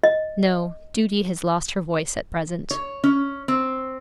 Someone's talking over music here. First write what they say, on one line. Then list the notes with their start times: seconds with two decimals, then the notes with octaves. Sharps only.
'No, duty has lost her voice at present.'
0.04 D#5
2.71 C#5
3.04 C#4
3.48 C4